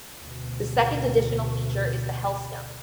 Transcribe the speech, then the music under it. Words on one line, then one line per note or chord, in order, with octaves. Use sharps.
The second additional feature is the Hellstone.
D2 B2